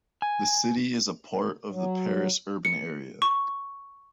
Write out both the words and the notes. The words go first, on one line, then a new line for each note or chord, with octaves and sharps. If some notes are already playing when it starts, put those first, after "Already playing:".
The city is a part of the Paris urban area.
G#5
F#3
C#7
C#6